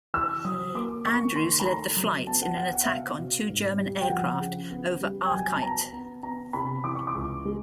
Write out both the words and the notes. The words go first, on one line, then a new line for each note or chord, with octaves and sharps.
Andrews led the flight in an attack on two German aircraft over Achiet.
E3 E6
F#3 D#6
A#3 D6
A#3 C#6
D#3 C6
B5
A3 A#5
F#3
B3 A5
F#5
B3 F#5
F#5
E5
B2 F5
B2
G#2
G3
G5
F3 F#5
C#3
B3
G3
G5
F#3 G#5
A5
B3 A#5
B3
B3 A#5
C3 B5
E3 D6
C#6
D6
C#2
G#3